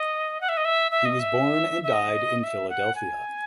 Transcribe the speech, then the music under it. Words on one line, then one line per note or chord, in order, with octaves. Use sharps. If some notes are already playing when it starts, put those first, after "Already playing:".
He was born and died in Philadelphia.
Already playing: D#5
F#5
E5
D#5
E5
E5
D#5
E5
E5
D#5
E5
F#5
G#5